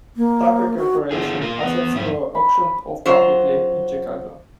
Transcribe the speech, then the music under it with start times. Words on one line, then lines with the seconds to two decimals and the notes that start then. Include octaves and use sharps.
Tucker Corporation assets were auctioned off publicly in Chicago.
0.16 A#3
0.78 F#4
1.11 D3 E4 G#4
1.41 A#2 F4 A#4
1.63 E2 B3
1.94 F2 G#2 E4
2.35 B5
3.06 F#3 F4 C5